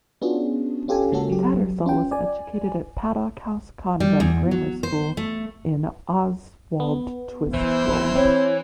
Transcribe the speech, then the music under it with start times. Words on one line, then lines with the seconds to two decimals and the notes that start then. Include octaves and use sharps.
Tattersall was educated at Paddock House Convent Grammar School in Oswaldtwistle.
0.22 B3 C#4 D4 F4 F#4 G#4
0.88 C#4 F4 G4 A4 G#5
1.12 C#3 G#3 A#3 C#4 F#4 A4
1.29 F#3 G4
1.86 C#4 F4 G5
2.11 D5 G#5
4.00 G3
4.20 E2
4.51 F#3
4.83 C5
5.17 A3
6.80 B3
7.54 E3 E4 C5
8.15 C4 C#5